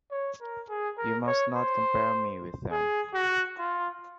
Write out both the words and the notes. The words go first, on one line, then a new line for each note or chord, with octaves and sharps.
You must not compare me with them.
C#5
A#4
G#4
A#4
C#5
C5
G#4
F#4
F4